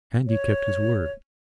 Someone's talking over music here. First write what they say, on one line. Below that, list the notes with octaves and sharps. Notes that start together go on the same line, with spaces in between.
And he kept his word.
C#5